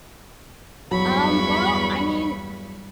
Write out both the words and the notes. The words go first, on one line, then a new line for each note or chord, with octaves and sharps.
Um, well, I mean,
E2 G2 F#3 B5 C#6